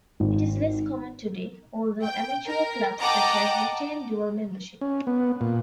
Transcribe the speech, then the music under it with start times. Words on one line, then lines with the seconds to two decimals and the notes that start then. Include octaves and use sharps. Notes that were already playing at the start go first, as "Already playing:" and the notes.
It is less common today, although amateur clubs such as retain dual membership.
0.20 G#1
2.01 G5
2.47 A#4
3.00 D#5 F#5 G5 A5 A#5 D6
4.81 C#4
5.07 B3
5.41 A#2